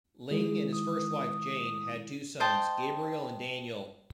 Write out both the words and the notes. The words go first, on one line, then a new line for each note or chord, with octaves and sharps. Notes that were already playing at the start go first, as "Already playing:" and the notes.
Ling and his first wife, Jane, had two sons, Gabriel and Daniel.
D#3 G#3 E4 G#4
D#6
C5 D#5 G5 A5